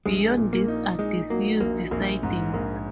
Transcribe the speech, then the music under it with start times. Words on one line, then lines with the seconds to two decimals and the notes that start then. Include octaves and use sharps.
Beyond this are disused sidings.
0.06 A#1 G#3
0.37 A#2
0.53 A#3
0.68 D#4
0.99 G#3 D#4
1.30 F#3 A#3
1.60 A#1 A#3
1.91 A#1 A#3
2.23 G#2
2.53 A#1 A#3